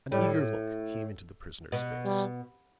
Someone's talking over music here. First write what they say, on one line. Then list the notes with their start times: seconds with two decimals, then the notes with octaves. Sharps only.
An eager look came into the prisoner's face.
0.12 A2 G3
1.72 B2
2.05 G3